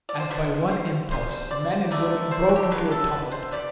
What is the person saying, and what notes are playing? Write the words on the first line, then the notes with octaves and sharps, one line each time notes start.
As by one impulse men and women broke into a tumult.
D5
C5
D3 G3 B3 B4
C5
D3 G3 B3 C5
C5
D5
C5
D3 F#3 A3 D5
C5
F#4
G4
A4
D3 F#3 A3 B4
A4
B4
C5
G3 B3 D5